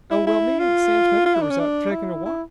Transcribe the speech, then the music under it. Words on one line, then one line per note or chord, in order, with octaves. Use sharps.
Oh, well, me an' Sam Snedecker was out takin' a walk.
E4
E4
F4
F4
E4
D4
C#4
D4
E4
E4